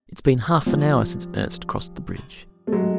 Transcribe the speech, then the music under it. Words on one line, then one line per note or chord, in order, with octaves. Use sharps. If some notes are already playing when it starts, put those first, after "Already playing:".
"It's been half an hour since Ernst crossed the bridge."
F3 G3
A3
F#3 G#3